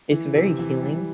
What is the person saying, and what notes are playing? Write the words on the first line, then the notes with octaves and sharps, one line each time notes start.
it's very healing,
E3
C3
E3
G3